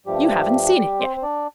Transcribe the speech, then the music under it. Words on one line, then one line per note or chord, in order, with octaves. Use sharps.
You haven't seen it yet.
G2 F3 G3 A3 G4
C4 C5
C5
D4 D5